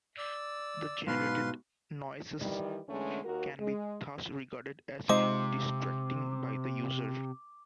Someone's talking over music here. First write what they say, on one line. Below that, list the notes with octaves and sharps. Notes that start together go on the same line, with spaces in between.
The generated noises can be thus regarded as distracting by the user.
D5 E6
G#2 B2 B4 F5 C6
D#3 E3 G3
E2 D3 G#3 A3 C#4
D#2 F#4 A#4
G#3
C3 G#3 D#4 F4 C5 D6